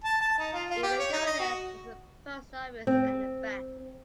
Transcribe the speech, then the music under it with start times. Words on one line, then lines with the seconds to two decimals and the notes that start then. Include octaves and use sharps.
If you go there, there is a post office and a bank.
0.04 A5
0.21 A5
0.38 D#4
0.53 F4
0.70 F4
0.83 G4
0.99 C#5
1.12 D#4
1.26 D#5
1.40 F#4
2.87 C4